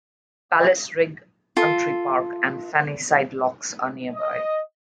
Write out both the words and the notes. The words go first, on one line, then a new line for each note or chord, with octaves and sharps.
Palacerigg Country Park and Fannyside Lochs are nearby.
F4 A4
D#5